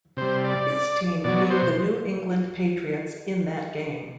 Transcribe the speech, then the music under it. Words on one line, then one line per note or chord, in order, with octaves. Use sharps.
His team beat the New England Patriots in that game.
C3 G3 C5
D5
B2 F#3 D5
C5